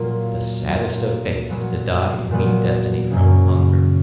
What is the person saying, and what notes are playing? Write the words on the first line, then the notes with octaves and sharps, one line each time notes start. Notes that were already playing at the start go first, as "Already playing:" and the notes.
'The saddest of fates is to die and meet destiny from hunger?'
Already playing: A#2 F#3 A#3 F4
A#2 F#3 A#3 F4
A#2 F#3 B3
A#2 F#3 B3
F#2 C#3 F#3 A#3